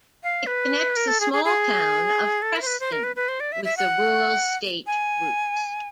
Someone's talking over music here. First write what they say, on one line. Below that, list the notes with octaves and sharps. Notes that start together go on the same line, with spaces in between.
It connects the small town of Creston with the rural state routes.
F5
B4
A#4
A4
G#4
G#4
G#4
A4
A#4
C5
B4
C5
A#4
B4
B4
C5
D5
E5
E5
F#5
G#5